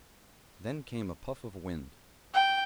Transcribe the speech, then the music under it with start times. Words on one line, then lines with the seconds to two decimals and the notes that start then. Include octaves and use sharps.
Then came a puff of wind.
2.34 G5